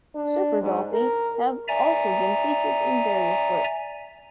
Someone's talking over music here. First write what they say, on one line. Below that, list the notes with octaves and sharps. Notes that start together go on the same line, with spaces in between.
Super Dollfie have also been featured in various work.
D4
G#2
A#4
D5 E5 G#5 A#5